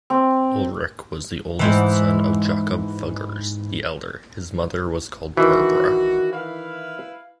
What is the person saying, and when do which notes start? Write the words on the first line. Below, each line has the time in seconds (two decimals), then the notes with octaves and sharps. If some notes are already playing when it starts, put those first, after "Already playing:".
Ulrich was the oldest son of Jakob Fuggers the elder, his mother was called Barbara.
0.10 C4
1.59 G#2 E3
5.37 D#3 E3 F#4
6.32 E4 B4 F5